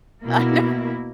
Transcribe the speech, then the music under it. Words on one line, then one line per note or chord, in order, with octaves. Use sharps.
I know,
B2 A#3 E4